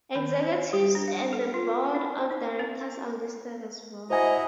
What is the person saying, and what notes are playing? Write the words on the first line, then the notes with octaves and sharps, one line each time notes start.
Executives and the board of directors are listed as well.
D#3
C5
G3
D4
F5
A4
F4
E4
C5
D#4
C4
E4 F#4 C5 D#5 G#5 A#5